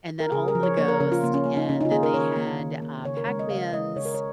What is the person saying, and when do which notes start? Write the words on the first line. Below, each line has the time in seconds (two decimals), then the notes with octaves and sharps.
and then all of the ghosts, and then they had, uh, Pac-Man's
0.20 A#4
0.32 C#3 G#4
0.48 A#4
0.55 F3
0.63 C#5
0.77 A#3 C#5
0.88 A#4
1.00 C#3 A#4
1.12 F4
1.23 C#3 A#3
1.34 C#4
1.45 A#3
1.57 D#4
1.69 C#3 C#4
1.81 D#4
1.85 F4
1.91 A#3 G#4
2.03 A#4
2.14 D#3 C#5
2.37 A#3
2.59 D#3
2.82 A#3
3.04 C#3 C#5
3.17 A#4
3.27 G#3 C#5
3.39 D#5
3.50 C#3 F5
3.73 G#3 D#5
3.96 C#3 C#5
4.05 A#4
4.14 C#5